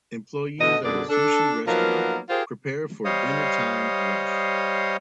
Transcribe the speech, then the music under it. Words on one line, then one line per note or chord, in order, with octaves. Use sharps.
Employees at a sushi restaurant prepare for dinner time rush.
B2 D3 A3 D#5
F#2 B2 D3 G#4 D5
D4 A4
F3 F#3 A#3 B3 D#4 A#4
F4 G4 G#4 A#4 C5
G3 C5 C#5 D#5 F5 D#6